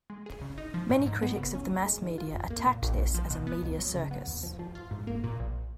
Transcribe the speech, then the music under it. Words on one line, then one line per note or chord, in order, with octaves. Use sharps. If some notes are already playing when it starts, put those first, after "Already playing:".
Many critics of the mass media attacked this as a "media circus".
G#3
G#4
C#3
D#4
F3
G#2
G#2
B3
C#3
C#4
D#2
G#3
D#3
F4
F2
A#3
A#2
A#1
A#1
F3
B2
B3
C#2
F#3
C#3
B3
D#2
F3
F3
F4
G#2
A#3
A#2
A#1